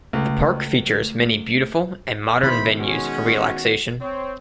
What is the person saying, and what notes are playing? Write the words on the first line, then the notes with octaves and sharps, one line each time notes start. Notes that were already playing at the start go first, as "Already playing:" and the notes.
The Park features many beautiful and modern venues for relaxation.
C#2 A3
B2 D#3 E4 C5 B5
G#3 C#4 F#4
C4 C#5